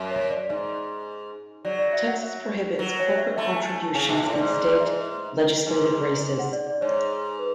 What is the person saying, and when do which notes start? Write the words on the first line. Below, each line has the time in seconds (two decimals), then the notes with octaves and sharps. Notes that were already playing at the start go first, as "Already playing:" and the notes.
Texas prohibits corporate contributions in state legislative races.
Already playing: F#2
0.11 C#5
0.30 D5
0.49 G#2
1.65 F#3 D5
1.79 D5
1.93 E5
2.07 F#5
2.23 E5
2.79 F#3
2.99 C#5
3.17 E5
3.36 A3 E5
3.56 G#5
3.75 A5
3.95 C#3 G#5
4.09 B2 E5
4.24 A2
4.33 D5
4.38 G#2
4.52 D5
4.71 D5
4.80 E5
5.67 G#2
6.39 F#5
6.53 D5
6.67 D5
6.81 G#2 C#5
7.39 B4